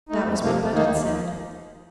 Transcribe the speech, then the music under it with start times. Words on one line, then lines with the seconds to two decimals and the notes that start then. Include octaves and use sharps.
That was what Budd said.
0.09 A3 D#4
0.25 F2
0.41 C3 F3 A#3
0.57 F2
0.73 D#3 A#3 D#4
0.88 D#2